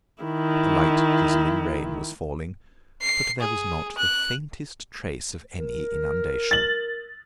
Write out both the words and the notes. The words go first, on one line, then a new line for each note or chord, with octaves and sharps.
A light, drizzling rain was falling, but there was not the faintest trace of any inundation.
D#3 E4
C7
G#4
F#6
A#4
A6 F#7